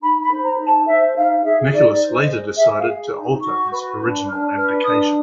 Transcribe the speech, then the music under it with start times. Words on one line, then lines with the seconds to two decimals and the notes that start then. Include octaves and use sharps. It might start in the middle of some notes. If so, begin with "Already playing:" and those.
Nicholas later decided to alter his original abdication.
0.01 D#4 B5
0.23 B5
0.30 C5
0.44 A#5
0.58 D#4
0.65 A5
0.87 C5 E5
1.16 D#4 F5
1.43 G#4 E5
1.72 D#4 D5
2.00 C5
2.14 D#5
2.29 G#4
2.57 G#4 E5
2.78 F5
2.86 G#4
3.14 D#4
3.42 F#4 C#6
3.72 B4
4.00 D4
4.28 D4 F6
4.56 B4 F6
4.84 D4 D#6